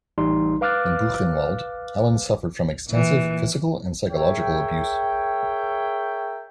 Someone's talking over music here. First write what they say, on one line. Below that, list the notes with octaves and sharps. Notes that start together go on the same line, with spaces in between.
In Buchenwald, Allen suffered from extensive physical and psychological abuse.
A1 G3 D#4 C6
B4 F5 D6 F6 F#6 A6
A#2 E3
G#4 A#4 C#5 E5 G5